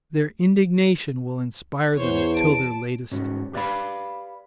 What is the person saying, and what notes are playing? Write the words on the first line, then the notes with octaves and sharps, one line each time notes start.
Their indignation will inspire them till their latest breath.
E2 C5 C#5
A5 D7
G#2 C#4 F#4
G4 B4 D5 D#5 F5 B5